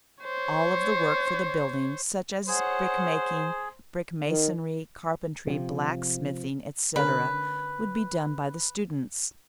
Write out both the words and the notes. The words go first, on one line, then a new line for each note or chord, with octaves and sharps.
All of the work for the building, such as brickmaking, brick-masonry, carpentry, blacksmithing, etc., would be done by the students.
C5 C#5
G#4 C5 C#5 F#5
D#3
C3 F3
D3 C#4 A#4 B4